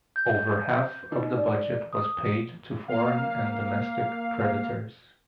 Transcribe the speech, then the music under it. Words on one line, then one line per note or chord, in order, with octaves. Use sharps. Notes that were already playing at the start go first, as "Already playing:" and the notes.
Over half of the budget was paid to foreign and domestic creditors.
G6
D#4
D5
D#6
A#3 F5